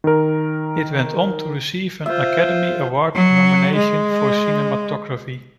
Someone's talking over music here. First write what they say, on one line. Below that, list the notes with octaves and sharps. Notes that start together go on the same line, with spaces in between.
It went on to receive an Academy Award nomination for cinematography.
D#3 A#4
F4 C5 E5
F#3
G#3